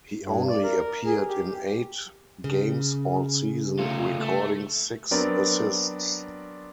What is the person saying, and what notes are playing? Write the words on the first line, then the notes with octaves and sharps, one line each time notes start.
He only appeared in eight games all season, recording six assists.
G2
D5
A#4
G#4
G4
C#3
A3 F4
A3
F#3 B3 C4 D4 A#4 D5